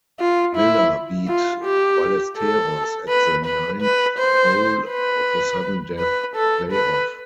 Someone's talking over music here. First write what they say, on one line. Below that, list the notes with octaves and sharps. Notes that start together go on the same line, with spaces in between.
Miller beat Ballesteros at the ninth hole of a sudden-death playoff.
F4
E4
F4
G4
A4
B4
B4
B4
C5
B4
B4
A4
B4